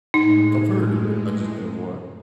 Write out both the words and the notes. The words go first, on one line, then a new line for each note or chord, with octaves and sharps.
I've heard of it. I just didn't wa
A2 G#3 D#4